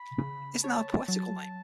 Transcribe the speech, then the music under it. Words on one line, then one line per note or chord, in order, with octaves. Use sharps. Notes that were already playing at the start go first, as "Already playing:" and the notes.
Isn’t that a poetical name?
Already playing: B5
C#3
C#5 A5
F#3